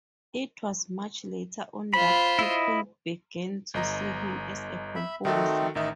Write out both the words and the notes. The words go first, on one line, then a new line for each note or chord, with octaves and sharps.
It was much later on that people began to see him as a composer.
F4 C5 B5
E4 D#5
G1 D#5 A#5
E5 B5
D#3 A3 C4 D#4 F#4 A4
A1 D#3 D#4 E5